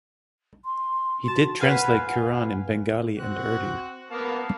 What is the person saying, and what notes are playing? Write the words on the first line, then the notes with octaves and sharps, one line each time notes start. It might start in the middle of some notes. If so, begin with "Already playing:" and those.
He did translate Quran in Bengali and Urdu.
C6
F#4 A5
B4 F5 F#5 G#5
C4 F#4 F#6
A#3 B3 F5 A5